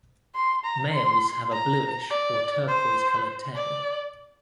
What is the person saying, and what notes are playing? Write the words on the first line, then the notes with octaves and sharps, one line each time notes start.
Males have a bluish or turquoise coloured tail.
C6
A#5
C6
A#5
D5
C5
D5